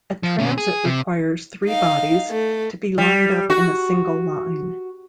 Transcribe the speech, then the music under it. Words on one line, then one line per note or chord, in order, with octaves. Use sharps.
A transit requires three bodies to be lined up in a single line.
F3
B2 C#4
G#4
C3
D#4 F5
A3
G3
F#4